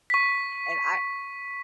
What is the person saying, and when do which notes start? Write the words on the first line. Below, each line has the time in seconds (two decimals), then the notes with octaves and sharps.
And I
0.10 C#6 B6